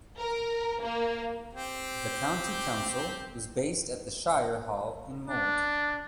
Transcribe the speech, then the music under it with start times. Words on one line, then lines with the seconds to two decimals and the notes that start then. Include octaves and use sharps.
The county council was based at the Shire Hall in Mold.
0.17 A#4
0.81 A#3
1.53 C4 G4
5.28 D4